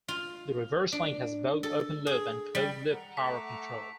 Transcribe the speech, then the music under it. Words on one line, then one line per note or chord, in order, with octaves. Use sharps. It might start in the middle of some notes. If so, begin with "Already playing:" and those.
The reverse link has both open loop and closed loop power control.
F4
D4
A4
G#4
G3
F#5 A#5
A3 D6 E6 B6